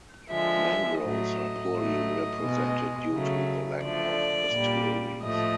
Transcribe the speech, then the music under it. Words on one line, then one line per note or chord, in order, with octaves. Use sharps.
Mangroves are poorly represented due to the lack of estuaries.
D3 F3 G#3 E5
A2 F#3 A3 D#5
A2 F#3 A3
B2 G#3
C#3 F#3 A3
D3 F3 A3 D5
A#2 G3
A2 F3 A3 D#5